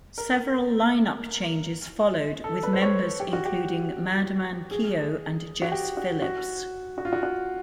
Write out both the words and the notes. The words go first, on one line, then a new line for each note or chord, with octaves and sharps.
Several line-up changes followed, with members including Madman Keyo and Jess Phillips.
A#4
A4
B4
C5
C#5
G4
F#4
G4
G#4
F#4
G4
F#4
F#4
F#4
F4
F#4
F#4